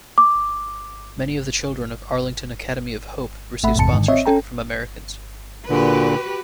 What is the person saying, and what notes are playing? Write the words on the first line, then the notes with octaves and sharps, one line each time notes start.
Many of the children of Arlington Academy of Hope receive sponsorship from Americans.
D6
A1 A3 E5 F#5 B5
A1 F2 G#2 C3 A5 C#7
G#2 D3 D#3
C4 C#5 D#5 E5
C#4 A4 G5 A#5
A#2 D3 F#4 G4 B4